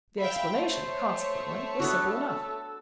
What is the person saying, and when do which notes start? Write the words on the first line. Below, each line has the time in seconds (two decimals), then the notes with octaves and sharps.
The explanation, consequently, was simple enough.
0.18 E5 F5 G5 B5
0.54 A3 C5 C#5
1.80 B3 D4 F#4 A4